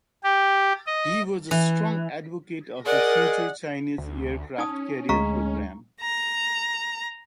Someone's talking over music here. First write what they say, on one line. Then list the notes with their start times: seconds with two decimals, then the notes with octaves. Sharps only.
He was a strong advocate of the future Chinese aircraft carrier program.
0.23 G4
0.87 D#5
1.51 E3
2.86 G#4 A#4 D5 D#5 F#5
3.98 D2
4.58 C#4 D#4 A5 D#6
5.09 D2 G#3 F5 A#5 C#6
6.01 A#5